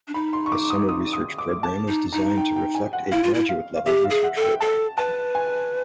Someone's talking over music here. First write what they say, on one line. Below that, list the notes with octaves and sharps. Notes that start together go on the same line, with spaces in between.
The Summer Research Program is designed to reflect a graduate-level research program.
D4
D#4 B5
C6
C#6
D6
D#6
D#6
D#6
D6
A5
D#4
D#4 A#5
G5
G5
G#5
F#5
E4 F5
F4
E4
F5
F5
G4 E5
F5
G#4
F#5
A4
G5
A4 A5
B4 A5
G#5